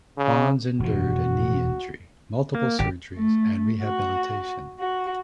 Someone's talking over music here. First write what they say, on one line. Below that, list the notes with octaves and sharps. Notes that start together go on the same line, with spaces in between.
Bonds endured a knee injury, multiple surgeries, and rehabilitation.
C#3
E1 F2 B2 F#4
A#3
G#1 A#2 G4
A3
F#4
F#4